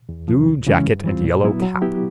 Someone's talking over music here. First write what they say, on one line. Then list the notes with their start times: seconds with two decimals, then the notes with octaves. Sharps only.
Blue jacket and yellow cap.
0.09 E2
0.28 C3 F3
0.47 C#2
0.67 C#3 E3 G#3 C#4
0.85 G2
1.04 E3 G3 C4 F4
1.24 A#2
1.43 F#3 B3 E4
1.62 F#3
1.82 B3 E4 G4